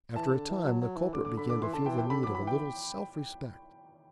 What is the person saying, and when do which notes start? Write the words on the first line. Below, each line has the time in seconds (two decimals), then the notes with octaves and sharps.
After a time the culprit began to feel the need of a little self-respect.
0.16 E3 A5
0.32 D3
0.49 E3
0.64 F#3
0.81 F#3
0.97 E3
1.13 D3 D6
1.25 D6
1.37 D3 B5
1.49 D6
1.62 E3 C6
1.73 D3 A5
1.86 E3 G5
1.98 E3 G5
2.06 C3
2.10 D3 B5
2.23 F#3 D6
2.35 B5
2.43 E3 G5